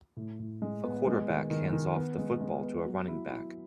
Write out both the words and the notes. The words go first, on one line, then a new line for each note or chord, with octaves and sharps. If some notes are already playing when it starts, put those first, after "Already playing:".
A quarterback hands off the football to a running back.
A2
A2
G#3
B3
G#3
D#3
D#3
D#3
B3
G#3
G#3
B3
F#3
E4
E4